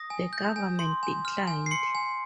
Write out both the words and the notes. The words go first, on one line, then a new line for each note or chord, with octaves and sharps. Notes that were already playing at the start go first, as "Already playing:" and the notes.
The government declined.
Already playing: D#6 A#6
G#5
G6
G#5
C6
G#5
F6
G#5
C7
C6 C#7
G#5